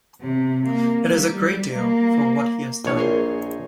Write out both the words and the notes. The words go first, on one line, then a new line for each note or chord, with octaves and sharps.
It's a great deal for what he has done.
C3
A#3
G3
A#3
A#1 E2 B4 C#5 A5
G#4 A#4 C5